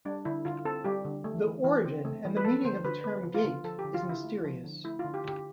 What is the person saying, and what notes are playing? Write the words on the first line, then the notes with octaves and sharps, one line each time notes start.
The origin and the meaning of the term "gate" is mysterious.
G3 D4
D3 E4
D3 F4
C4 A4
G3 G4
D3
A3
E3
E3
C4
A3
E3
B4
F3 A4
D3 C5
D3 B4
B3 B4
F3
F4
D3
F3 A4
G4
D3
F4
D3 E4
A3
F3
D3
A3 E4
D3 F4
G4
D3 G4